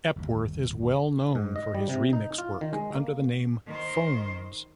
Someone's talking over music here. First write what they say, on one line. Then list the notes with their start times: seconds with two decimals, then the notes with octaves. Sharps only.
Epworth is well known for his remix work under the name "Phones".
0.16 G1 D#2
1.35 G#2
1.56 D#5
1.75 G3
1.89 C3
2.13 D#4
2.38 F4
2.61 D#3
2.73 G#3
2.96 A#3
3.67 D#3 C5